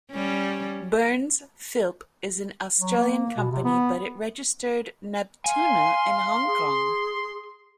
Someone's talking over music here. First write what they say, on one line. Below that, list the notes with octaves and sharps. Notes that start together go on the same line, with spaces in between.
Burns, Philp is an Australian company but it registered "Neptuna" in Hong Kong.
G3 C#4
F#3
A#3
B2
C3
B3
F5 G#5 C6
G#4